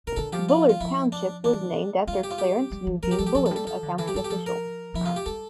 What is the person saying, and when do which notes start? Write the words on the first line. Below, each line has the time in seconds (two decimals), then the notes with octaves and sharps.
Bullard Township was named after Clarence Eugene Bullard, a county official.
0.07 C3 A#4
0.16 D3 A4
0.33 F3 G4
0.49 F4
0.69 F4
0.81 F3 E4
1.12 D4
1.44 E3 D4
2.07 G3 F4
2.23 G4
2.31 F4
2.38 G4
2.72 G3
2.87 F3
3.03 F3 A#4
3.11 G4
3.19 F3 A4
3.27 G4
3.35 F3 A4
3.46 A4
3.51 G3
3.56 A4
3.67 F3 A4
3.83 D3
3.99 E3 A4
4.08 G4
4.14 G3 A4
4.24 G4
4.30 F3 A4
4.46 A#4
4.94 F3 E4
5.06 F4
5.16 G4
5.26 G3 A4